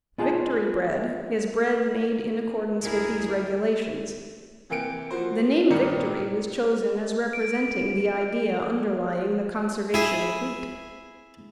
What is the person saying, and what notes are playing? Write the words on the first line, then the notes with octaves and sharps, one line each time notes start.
Victory bread is bread made in accordance with these regulations. The name "Victory" was chosen as representing the idea underlying the conservation of wheat.
B3 F4 G#4 D#5 A5
D2 E4 G#4 A#4
C3 E3 A#3 G5 C#7 D7
F3 A#3 F#4 C5
D#1 G2 D#3 A#4 D5 C#7
D7
E4 G#4